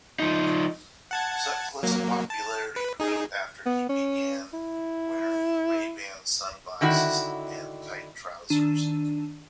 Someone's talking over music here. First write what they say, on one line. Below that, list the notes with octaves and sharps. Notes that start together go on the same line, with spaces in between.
Sutcliffe's popularity grew after he began wearing Ray-Ban sunglasses and tight trousers.
F3 D#4
F#5 A5 G#6
F#3 A#3
A5
B4
D#4 G#4
B3
C#4
E4
D3 D#3 E4 F#4
D#3 D4 A5 E6 D#7 E7